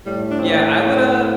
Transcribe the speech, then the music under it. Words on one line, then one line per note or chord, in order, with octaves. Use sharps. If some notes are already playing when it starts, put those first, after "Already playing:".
Yeah, I would, uh,
A2 G3
D4
C4
A#3
C4